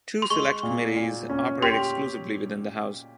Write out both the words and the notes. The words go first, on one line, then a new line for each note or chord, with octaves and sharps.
Two Select Committees operate exclusively within the House.
C6
G#3 C#6
A#2
A#2
C#4
G4 C6